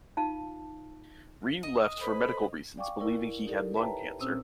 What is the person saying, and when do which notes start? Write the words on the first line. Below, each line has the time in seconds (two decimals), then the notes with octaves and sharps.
Reid left for medical reasons, believing he had lung cancer.
0.17 D#4 F4 F5 A5
1.63 D#5
2.00 A4 B4 C5 B5
2.77 D5 F5 G5 G#5 C#6 D6
2.99 E4 A#4 D5 C#6
3.47 D#4 G4 A4 A#4 D5
3.76 B4 C#5 E5 G5 A5 A#5
4.19 A#2 C4 C#4 C5 D#6 E6